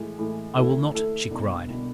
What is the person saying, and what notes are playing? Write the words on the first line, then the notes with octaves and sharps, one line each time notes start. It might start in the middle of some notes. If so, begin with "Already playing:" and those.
"I will not!" she cried.
Already playing: A2 E3 G#3
A2 E3 G#3
D3 A3 E4 A4
D3 A3 E4 A4
C2 B2 B3 D4
C2 B2 B3 D4